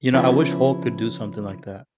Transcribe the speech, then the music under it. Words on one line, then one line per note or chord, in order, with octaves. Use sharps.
You know, I wish Hulk could do something like that.
C#3 F3 B3 C#4 E4